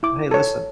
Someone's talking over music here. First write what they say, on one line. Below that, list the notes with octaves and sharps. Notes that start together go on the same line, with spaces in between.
Hey listen
E4 D6
A4 C#5